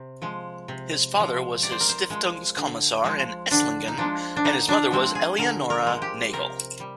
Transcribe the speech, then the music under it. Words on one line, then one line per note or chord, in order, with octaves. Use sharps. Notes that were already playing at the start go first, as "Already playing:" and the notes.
His father was a "Stiftungs-Commissar" in Esslingen and his mother was Eleonora Nagel.
Already playing: C3
F3 G#3
C3
F3 G#3
C3 D5
C5
A#4
C5
F3 G#3
D3
F3 G#3
D3 D4
D#4
F3 G#3 D4
D4
D3 D#4
D4
F3 G#3 C4
G#4
D3 A#4
A#4
F3 G#3
G4
C3 A#4
G3